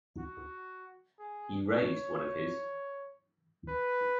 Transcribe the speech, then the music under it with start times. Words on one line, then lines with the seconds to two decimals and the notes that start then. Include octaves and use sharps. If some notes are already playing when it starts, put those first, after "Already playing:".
He raised one of his.
0.19 F#4
1.19 G#4
1.69 C#5
3.68 B4